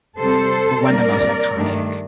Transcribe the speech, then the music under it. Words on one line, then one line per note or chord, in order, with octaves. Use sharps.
one of the most iconic,
C3 G3 C4 A4 C5
C3 G3 A#3 D4 A#4 D5
G2 D#3 A3 D4